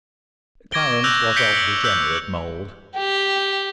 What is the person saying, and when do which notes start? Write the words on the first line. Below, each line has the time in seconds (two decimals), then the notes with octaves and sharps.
Clarence was of degenerate mould.
0.72 C#6 D6 G#6 A#6 D7 G7
1.04 D6 E6 F#6 G6 A#6 F7
1.36 G6 B6 C#7 D7 G7
1.54 C#7 F#7 G7
1.84 E6 F#6 G6 B6 F7
2.97 G4